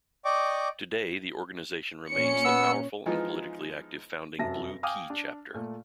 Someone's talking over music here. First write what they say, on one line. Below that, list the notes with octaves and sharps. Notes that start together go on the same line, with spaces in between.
Today, the organization remains the powerful and politically active founding Blue Key chapter.
D5 D#5 G5 C#6 D6
A#2 C#4 C#7
B3 E6
E3 F3 G#3 B3 D#4 F4
F1 F#2 F#3 E5 A5 A#6
F5 G5 G#5 D6 D#6 F6
D4
A#2 A3